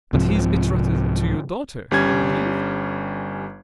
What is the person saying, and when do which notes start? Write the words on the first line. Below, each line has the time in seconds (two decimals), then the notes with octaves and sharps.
"But he is betrothed to your daughter, I believe?"
0.13 C2 G#2 C3 F3
1.91 G1 G3 C#4 G#6